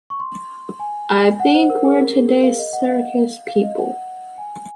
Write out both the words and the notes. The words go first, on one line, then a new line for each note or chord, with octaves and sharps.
I think we're today's circus people.
C#6
C6
G#5
F#5
C5
A#4
G#4
A#4
G#4
A#4
F5
D#5
F#5
F5
F5
D#5
F#5
G#5